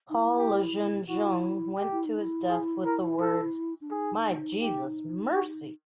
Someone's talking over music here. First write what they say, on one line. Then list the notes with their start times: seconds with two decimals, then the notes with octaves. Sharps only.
Paul Lejeune-Jung went to his death with the words My Jesus, mercy.
0.09 D#4
0.14 E4
0.38 G4
1.08 E4 F#4
1.79 G4
1.92 E4
2.05 D#4
2.17 E4
2.49 G#4
2.85 A#4
3.21 A4
3.81 D4
3.91 D#4 G#4
4.62 G4
5.32 F#4